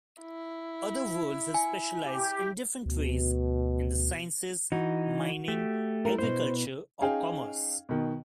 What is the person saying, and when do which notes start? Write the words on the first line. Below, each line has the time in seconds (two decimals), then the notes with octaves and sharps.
Other worlds have specialized in different ways, in the sciences, mining, agriculture or commerce.
0.22 E4
1.54 G#5
2.04 G4
2.86 D2 B2
4.72 E3 D#4 F#4
5.48 A3 G4
6.05 E4 A#4
6.18 B2 E4 C5
7.01 C#4 D#4 G#4 F5 G5
7.89 B2 D#3